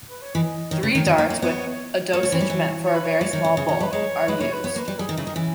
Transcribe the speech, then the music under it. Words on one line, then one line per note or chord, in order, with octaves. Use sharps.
Three darts with 'a dosage meant for a very small bull' are used.
B4
C#5
E3 D#5
D#3 C#5
C#3 B4
C#5
D#3
D#3
A#3
A#3
B3
A#3 C#5
C#3
E3
G3
E3
C#5
B4
C#5
G3 C#5
D#3
C#3
C#3
D#3
G3
B4
G#3 C#5
G#3 B4
A#3 C#5
B4
B3 C#5
A#3
B4
G3
G3 G#4
D#3
D#4
C#3 E4
D#3 D#4
E3 C#4